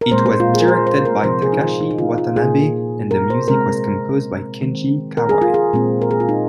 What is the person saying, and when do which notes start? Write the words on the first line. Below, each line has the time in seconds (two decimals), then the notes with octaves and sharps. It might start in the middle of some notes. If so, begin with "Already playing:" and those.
It was directed by Takashi Watanabe and the music was composed by Kenji Kawai.
0.01 A#4
0.11 A#2 G#3 C4 C5
0.26 C5
0.40 F4
0.54 G#4
0.61 A#4
0.68 C5
0.87 C5
1.05 A#4
1.24 C3 F3 C4 C5
1.42 G#4
1.52 D#4
1.61 F4
1.81 D#4
1.91 D#4
1.98 F4
2.18 F4
2.36 A#2 A#3 G#4
3.11 A#4
3.30 C5
3.48 C3 G#3 C4 A#4
4.61 D#3 G#3 C4
5.17 A#4
5.29 G#4
5.42 F4
5.54 G#4
5.73 A#2 G#3 C4
6.02 A#4
6.11 G#4
6.20 F4
6.29 D#4